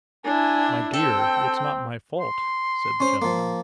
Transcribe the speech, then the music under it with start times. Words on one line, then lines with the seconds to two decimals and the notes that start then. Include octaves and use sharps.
'My dear, it's not my fault,' said the gentleman.
0.25 D4 E4 G#5
0.94 C4 A4 G5
2.20 C6
3.00 C#4 C5
3.22 F3 A#3